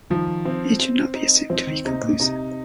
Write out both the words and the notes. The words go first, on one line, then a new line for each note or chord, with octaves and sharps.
It should not be assumed to be conclusive.
D#3 F3
C4
C4
D#4
F3 C4
D#3
C3 D#4
A#2
C3 D#4